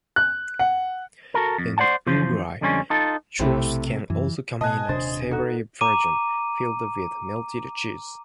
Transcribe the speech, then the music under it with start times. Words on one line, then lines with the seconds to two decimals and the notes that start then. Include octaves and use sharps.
In Uruguay, churros can also come in a savoury version, filled with melted cheese.
0.16 F#6
0.59 F#5
1.34 F#4 A4 A#4
1.58 F2
1.78 C5 D5 F#5 A5
2.07 F#2 E3 F3 C5
2.61 F2 D3 G3 G#3 C4 C#4
2.90 D#4 F4 A4
3.39 B1 C3 A3 E4 G4 C5
4.10 F#2 E3
4.61 B2 D#5 G#5 A5 F#6
4.89 D#1 C3 D4 C5 A6
5.31 D#4 F#4 A4
5.81 A#5 D6 D#7